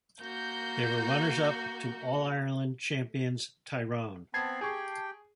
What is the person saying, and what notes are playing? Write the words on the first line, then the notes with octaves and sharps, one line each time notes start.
They were runners-up to All-Ireland champions Tyrone.
A#3 F#4 A#4 G6
B3 C4 A5 B5 G#6 C7
G4 G#4 G5 C#6